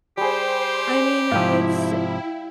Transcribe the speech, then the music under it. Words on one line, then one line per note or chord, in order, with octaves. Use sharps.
I mean, it's
G3 G4 G#4 C5
G#2 C3 F3 E4 F5 G5 E6